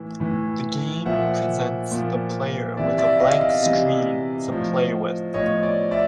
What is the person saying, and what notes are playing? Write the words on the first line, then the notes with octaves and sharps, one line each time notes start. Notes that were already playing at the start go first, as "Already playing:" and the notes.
The game presents the player with a blank screen to play with.
Already playing: A2 E3
A2 E3
A#2 F3 E5 F#5
A#2 F3
C3 E3 D5 E5
D5 E5
D#5 F5
D#5 F5
C3 E3 D#5 F5
A2 F3
A2 F3 C#5 D#5
D5
D5 E5